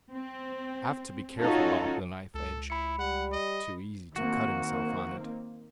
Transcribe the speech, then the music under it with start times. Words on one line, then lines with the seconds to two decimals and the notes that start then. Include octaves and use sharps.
Have to be careful about the knife-edge; too easy to cut himself on it.
0.13 C4
1.39 C#4 D#4 F4 F#4 A4
2.34 C#2 A4
2.70 E4 B5 C#7
2.99 G3 F#5
3.32 D#5
4.16 D#3 A#3 C4 F#4